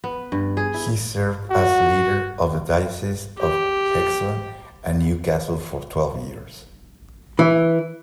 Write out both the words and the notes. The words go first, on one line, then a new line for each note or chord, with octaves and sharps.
He served as leader of the Diocese of Hexham and Newcastle for twelve years.
B3
G2
G#4
E4
F#4
G4
E3